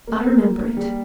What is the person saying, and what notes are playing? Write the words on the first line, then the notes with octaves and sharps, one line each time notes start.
"I remember it."
A#3
A#3
A#3
A#3
G3